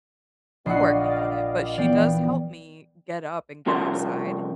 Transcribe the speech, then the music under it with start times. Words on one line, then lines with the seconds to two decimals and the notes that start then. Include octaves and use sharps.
we're working on it, but she does help me get up and get outside.
0.66 A#1 D#5 F#5 C7
0.88 D5 D#5 F5
1.78 E3 F3 B3 D5 F5 G5
3.66 C2 F3 C#4 A#4 C6